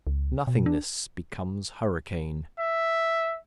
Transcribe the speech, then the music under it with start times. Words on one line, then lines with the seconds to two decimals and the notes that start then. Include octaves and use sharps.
Nothingness becomes hurricane.
0.07 C#2
0.47 B2
0.66 D4
2.60 E5